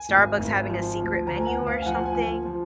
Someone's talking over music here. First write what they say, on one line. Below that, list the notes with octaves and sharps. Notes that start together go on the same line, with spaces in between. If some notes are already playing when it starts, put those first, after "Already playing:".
Starbucks having a secret menu or something,
Already playing: G#5
G#1
G#1
F3
D2
D2 A#5
G#5
F#5
D2
F5
G#5
F3 F#5
G#5
F3
F3